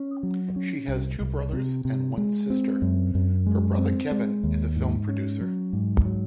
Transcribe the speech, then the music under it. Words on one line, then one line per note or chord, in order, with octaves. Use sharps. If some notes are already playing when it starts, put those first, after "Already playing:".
She has two brothers and one sister; her brother Kevin is a film producer.
Already playing: C#4
F#3
C#4
C2
C2
C3
C3
G#3
C4
F#2
F#2
G#3
C4
G#3
D#2
G#2
C#4
F#3
G#2
F#3